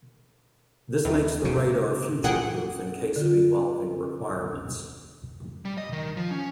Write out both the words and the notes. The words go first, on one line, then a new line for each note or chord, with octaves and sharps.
This makes the radar future proof in case of evolving requirements.
D#2 E3
G#2 C#3
A#2 E3 G#4 F#5 G5
D3 F4
G3
D#5
D#3
F3
C#4